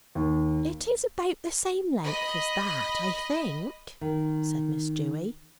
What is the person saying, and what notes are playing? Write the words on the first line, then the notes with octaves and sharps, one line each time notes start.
"It is about the same length as that, I think," said Miss Dewy.
D#2
D#5 B5
D#3